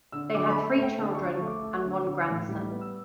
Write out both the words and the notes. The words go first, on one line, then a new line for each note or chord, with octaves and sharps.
They had three children and one grandson.
D3 E6
D3 D6
B5
A3
A3
G5
D3 A5
C#6
D3
C#6
A3
D6
A3
D3
D3
A2
G3
B3
E6